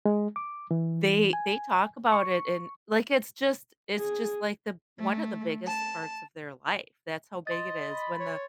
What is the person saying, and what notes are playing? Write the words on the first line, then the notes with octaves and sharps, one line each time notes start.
they they talk about it, and, like, it's just it's just, like, the one of the biggest parts of their life, that's how big it is, when the
G#3
D6
E3
G#5
C#6
G#4
A3
A5
D#5 C6 A6
B5
C#5